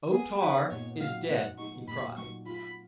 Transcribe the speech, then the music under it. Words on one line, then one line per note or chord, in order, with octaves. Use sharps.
"O-Tar is dead!" he cried.
B3 G#4
D#4 B4
A#2 C#5
F#3 F5
B3 F#5
D#4 C#6
A#2 B5
F#3 C#6
F4 B5